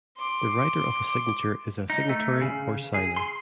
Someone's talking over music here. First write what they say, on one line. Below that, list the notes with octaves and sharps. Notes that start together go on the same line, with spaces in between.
The writer of a signature is a signatory or signer.
C6 D6
D#4
A3
C#3
G#4
C6